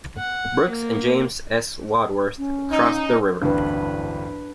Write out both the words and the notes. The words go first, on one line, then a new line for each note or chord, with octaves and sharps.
Brooks and James S. Wadsworth crossed the river.
F#5
A#3
C#4
D#4
D1 A1 G2 D4 B4